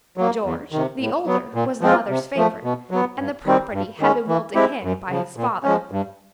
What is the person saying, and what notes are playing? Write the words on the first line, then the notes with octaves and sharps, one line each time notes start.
George, the older, was the mother's favourite, and the property had been willed to him by his father.
F#3 A#3
E2
C3 D#3
A2
F#3 B3
A#2
F3 G#3 C4 F4
C3
F3 A3
B2
F#3 B3
G2
D#3 G3 C4
G2
D#3 G#3 C#4
E3
G#3 C4 E4 G4
F#2
C#3 F3
A#2
F3 G#3 C#4
G2